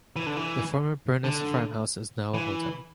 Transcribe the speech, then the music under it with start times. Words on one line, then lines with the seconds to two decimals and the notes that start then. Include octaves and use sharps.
The former Byrness farmhouse is now a hotel.
0.16 E3
0.26 D3
0.37 E3
1.24 D3
2.34 E3